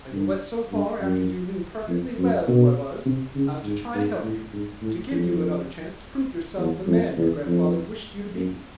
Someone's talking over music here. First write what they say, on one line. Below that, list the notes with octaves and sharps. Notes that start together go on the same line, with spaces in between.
I even went so far, after you knew perfectly well who I was, as to try to help you—to give you another chance to prove yourself the man your grandfather wished you to be.
G2
G2
F#2
F2
F#2
B2
C3
C#3
G#2
G#2
A2
G#2
A2
F2
E2
F2
E2
F2
F#2